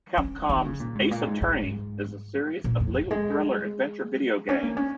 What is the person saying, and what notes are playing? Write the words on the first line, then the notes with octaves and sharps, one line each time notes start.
Capcom's "Ace Attorney" is a series of legal thriller adventure video games.
C#4
D#3
C#3
A#2
G#2
A#2
G#2
G#2
A#2
F2
D#3
G#3
C#4
A#3
C#4